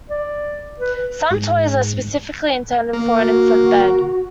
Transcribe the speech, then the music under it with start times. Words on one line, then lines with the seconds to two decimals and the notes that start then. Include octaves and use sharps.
Some toys are specifically intended for an infant bed.
0.10 D5
0.80 B4
1.31 G#2
2.93 A#3
3.17 F#4